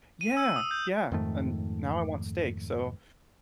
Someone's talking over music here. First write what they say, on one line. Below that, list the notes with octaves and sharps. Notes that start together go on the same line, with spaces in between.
Yeah, yeah, and, now I want steak, so,
D#7
E6
D#6
G6
F2 G#2 D#3 A3